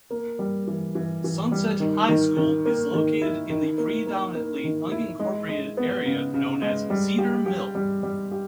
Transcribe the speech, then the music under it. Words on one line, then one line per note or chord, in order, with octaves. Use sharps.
Sunset High School is located in the predominantly unincorporated area known as Cedar Mill.
A#3
G3
E3
E3
E3
G3
D#3
D#3
D#3
A#3
D#3
E4
D#3
A#3
A#3
A#3
D#3
E4
G#3
G#3
B3
C#3
C#3
G#3
G3
G4
G4
G3
G3
G4